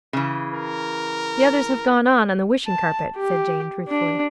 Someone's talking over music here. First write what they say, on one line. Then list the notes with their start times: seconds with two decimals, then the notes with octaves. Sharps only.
'The others have gone on, on the wishing carpet,' said Jane truthfully.
0.13 C#3 E3
0.54 A#4
2.66 A5
3.16 G4
3.89 D4